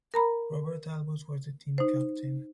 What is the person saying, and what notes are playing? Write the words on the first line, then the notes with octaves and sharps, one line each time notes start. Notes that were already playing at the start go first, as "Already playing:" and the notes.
Robert Albus was the team captain.
A#4 A#5 B5
D#4 C5